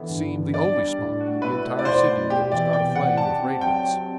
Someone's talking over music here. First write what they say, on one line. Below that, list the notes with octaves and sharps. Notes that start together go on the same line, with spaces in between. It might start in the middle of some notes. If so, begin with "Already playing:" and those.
It seemed the only spot in the entire city that was not aflame with radiance.
Already playing: D3 E3 B3
G2
G2
D4 D5
G3
A2
F#4
E4 B4
A3
D5
B2 C5
B2
B3 G4
E3 D5
C3 G5
C3 F#5
G4 A5
C4
F#3 G5
F#3